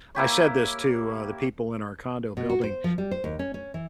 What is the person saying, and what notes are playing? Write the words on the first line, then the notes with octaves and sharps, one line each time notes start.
I said this to, uh, the people in our condo building,
A#3 E4 G4 C#5
B2
F#4
C5
F3
G3
C5
D#2
C#4
C#4
E3